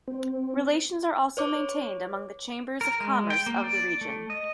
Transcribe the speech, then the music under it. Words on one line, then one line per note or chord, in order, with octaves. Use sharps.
Relations are also maintained among the Chambers of Commerce of the Region.
C4
B4 C#5 D6
A#4
G#3
G5
A#3
D5
A3
D#5